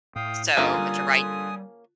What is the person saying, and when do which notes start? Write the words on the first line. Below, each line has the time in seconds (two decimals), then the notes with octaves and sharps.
so, to write
0.16 A2 F5 G5 D#6
0.57 G2 D3 A#3 C#4 F4 G#4 G#5 D#6
0.78 G3